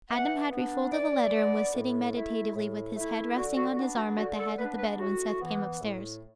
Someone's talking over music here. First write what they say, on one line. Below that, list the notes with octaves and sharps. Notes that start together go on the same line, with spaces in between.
Adam had refolded the letter, and was sitting meditatively with his head resting on his arm at the head of the bed, when Seth came upstairs.
E3 F#5
B3 D4
E3 D5
B3 D4
A2
A3 E4
A2
A3 E4
D3 F#4
F#4
B3 D4 F#4
F#4
D3 F#4
A4
B3 D4 B4
B4
A2 F#4
E3 B3
A2